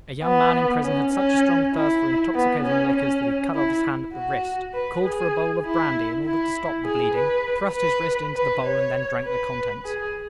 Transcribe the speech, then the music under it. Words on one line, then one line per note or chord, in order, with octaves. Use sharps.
A young man in prison had such a strong thirst for intoxicating liquors, that he cut off his hand at the wrist, called for a bowl of brandy in order to stop the bleeding, thrust his wrist into the bowl, and then drank the contents.
B3
C#4
C#4
E4
B3
C#4
C#4
E4
F#4
B4
G#4
E4
E4
G#4
B4
B4
B4
C#5
B4
G#4